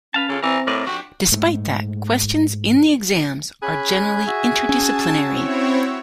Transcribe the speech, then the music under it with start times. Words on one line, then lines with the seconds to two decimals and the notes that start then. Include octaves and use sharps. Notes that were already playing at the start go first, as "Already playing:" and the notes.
Despite that, questions in the exams are generally interdisciplinary.
0.14 C#4 B4 F5 A5
0.29 C#3 F4 A4
0.42 E3 C4 A#5
0.67 A2 A#4 D5 D#5
0.87 F3 D4 F#4 G4
1.32 G#2 A3
3.62 C#4 G#4 B5 F#6
4.27 F#4 E5
4.69 C#4 F#4 A5 E6
5.25 C4 E4 C#5